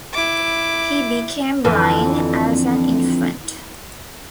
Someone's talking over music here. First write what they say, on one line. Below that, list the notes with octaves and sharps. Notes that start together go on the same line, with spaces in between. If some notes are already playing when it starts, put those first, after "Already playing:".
He became blind as an infant.
E4 D6
F2 D3 E3